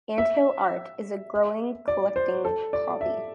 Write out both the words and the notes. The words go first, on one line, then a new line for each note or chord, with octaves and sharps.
Ant hill art is a growing collecting hobby.
E5
D5
C5
A4
D5
E5